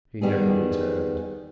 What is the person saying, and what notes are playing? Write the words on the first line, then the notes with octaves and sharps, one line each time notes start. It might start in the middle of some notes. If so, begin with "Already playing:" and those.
He never returned.
D#3 G3 B3 G#4